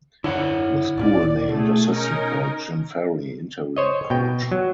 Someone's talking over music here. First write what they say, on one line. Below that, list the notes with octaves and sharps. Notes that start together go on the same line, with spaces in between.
The school named assistant coach Jim Ferry interim coach.
F#2 D3 E4 C#5 F#5
D1 A#2 C#4 D5
B2 A3 G#4
C#4 D#4 A#4
C5 C#5 D#5
B2 G5
F#3